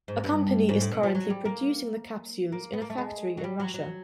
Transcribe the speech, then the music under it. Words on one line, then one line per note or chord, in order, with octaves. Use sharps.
A company is currently producing the capsules in a factory in Russia.
G#2
G2
G#2
A2
B2
F3
F#3
G3
A#3
A#3
B3
A#3
A3
G#3
F#3
G3
F#3
F#3